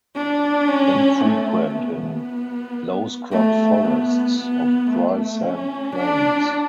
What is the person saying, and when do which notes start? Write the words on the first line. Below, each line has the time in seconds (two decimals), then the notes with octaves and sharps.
Infrequent in low scrub forests of dry sand plains.
0.16 D4
0.68 C#4
1.22 A3
1.74 B3
3.32 A3
3.85 B3
4.37 B3
4.90 A3
5.43 C#4
5.96 D4